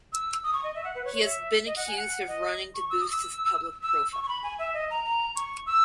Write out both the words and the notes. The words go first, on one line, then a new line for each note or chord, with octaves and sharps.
He has been accused of running to boost his public profile.
E6
D#6
C#6
D#5
E5
F#5
B4
C#5
C#5
E5
D#5
F#5
G#5
F#5
D#5
C#6
E6
D#6
E6
E6
C#6
C#6
B5
G#5
E5
D#5
A#5
A#5
C#6
E6